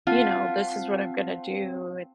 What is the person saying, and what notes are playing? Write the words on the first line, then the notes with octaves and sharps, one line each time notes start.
you know, "This is what I'm gonna do," and
C4 F4 F5 F#5 A5